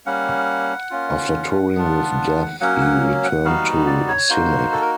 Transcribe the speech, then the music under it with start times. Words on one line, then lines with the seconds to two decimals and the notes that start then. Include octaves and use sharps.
After touring with Death, he returned to Cynic.
0.06 G3 A#3 C#4 F#5
0.90 A#3 C#4 F4
1.75 B3 D4 F4
2.60 F#3 A#3 C#4 F#5
2.81 F#5
3.24 F#5
3.44 G3 B3 D#4 F#4 F5
3.86 D5
4.08 C#5
4.30 A#3 D#4 F#4 C5
4.72 A4
4.82 A#4